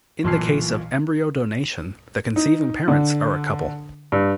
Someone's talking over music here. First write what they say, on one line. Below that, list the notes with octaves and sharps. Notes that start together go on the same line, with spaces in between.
In the case of embryo donation, the conceiving parents are a couple.
B1 A#2 E3 A5 F6 C7
D#4
D3
G2